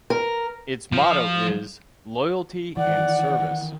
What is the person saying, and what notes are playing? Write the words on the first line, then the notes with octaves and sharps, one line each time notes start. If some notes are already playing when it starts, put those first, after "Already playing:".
Its motto is "Loyalty and Service".
A#4
F3
D#3 E3 D5 F#5